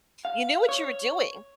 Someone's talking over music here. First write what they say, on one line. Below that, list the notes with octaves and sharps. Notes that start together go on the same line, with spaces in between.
you knew what you were doing.
F5
C#5